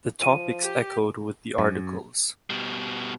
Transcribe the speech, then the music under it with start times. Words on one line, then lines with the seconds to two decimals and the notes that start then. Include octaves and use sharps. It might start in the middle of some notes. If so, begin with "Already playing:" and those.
The topics echoed with the articles.
0.22 F3 D#7
0.61 G4
1.58 F#2
2.50 B2 G3